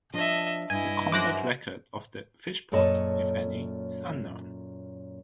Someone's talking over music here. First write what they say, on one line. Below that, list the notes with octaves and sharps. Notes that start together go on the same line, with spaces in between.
The combat record of the "Fishpot", if any, is unknown.
F3 D4 D#5 E5
G2 E4 D#5 G#5
F#2 C5 D6 F#6 A#6
F#2 A#2 A4 C#5 D#5 A5